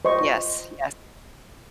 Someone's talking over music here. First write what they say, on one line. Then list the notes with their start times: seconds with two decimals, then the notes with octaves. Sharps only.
Yes, yes.
0.05 C5 D#5 C#6